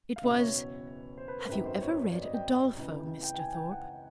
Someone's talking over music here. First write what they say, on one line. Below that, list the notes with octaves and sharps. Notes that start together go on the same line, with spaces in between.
It was, "Have you ever read 'Udolpho,' Mr. Thorpe?"
F5
F#1 E2 B2 E5
C#5
C5
B4
A#4
G#1 F#2 D#3 F#3 B4
C5
C#5
D5
D#5
G5
C#2 C#3 E3
G5
G5
G#5
G5
F#5